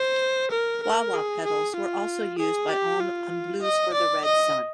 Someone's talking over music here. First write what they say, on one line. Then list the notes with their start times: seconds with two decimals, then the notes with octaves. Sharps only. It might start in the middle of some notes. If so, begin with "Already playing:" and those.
Wah-wah pedals were also used by Homme on Blues for the Red Sun.
Already playing: C5
0.51 A#4
0.83 A#4
1.14 G#4
1.45 G#4
1.76 F4
2.39 G#4
2.69 G4
3.00 F4
3.62 D#5
3.94 D5
4.25 D#5